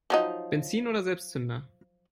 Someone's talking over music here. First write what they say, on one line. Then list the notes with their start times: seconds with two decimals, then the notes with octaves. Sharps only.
Benzin oder Selbstzünder?
0.10 F3 F#3 D#4